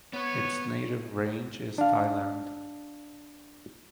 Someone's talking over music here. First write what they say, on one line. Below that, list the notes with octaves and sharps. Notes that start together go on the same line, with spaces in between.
Its native range is Thailand.
B3 B4 C#5
D4 F5